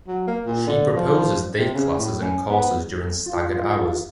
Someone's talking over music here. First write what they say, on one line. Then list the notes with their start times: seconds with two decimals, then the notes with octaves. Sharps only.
She proposes day classes and courses during staggered hours.
0.08 F#3
0.27 A#3
0.46 A#2
0.67 D3
0.96 F3
1.57 C3
1.74 C#3
1.98 A2
2.21 C#4
2.49 B3
3.26 F4